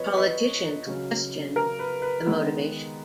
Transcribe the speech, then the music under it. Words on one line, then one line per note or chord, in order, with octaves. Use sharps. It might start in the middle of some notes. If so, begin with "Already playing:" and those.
Politicians questioned the motivation.
Already playing: F3 B3 B4 C#5 D#5
B4 D#5
C#3 F#3 C#4
A#4
B4
B4
D#3 G#3 B3 D#4